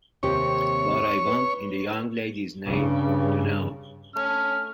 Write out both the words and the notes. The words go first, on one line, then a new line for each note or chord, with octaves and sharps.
But I want, in the young lady's name, to know.
D#2 C3 G4 C#5
B4
G2 C#3
A3 C#4 F6